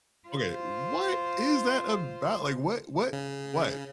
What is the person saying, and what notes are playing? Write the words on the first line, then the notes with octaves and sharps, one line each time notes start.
Okay, what is that about, like, what what what?
F4 C5
C#3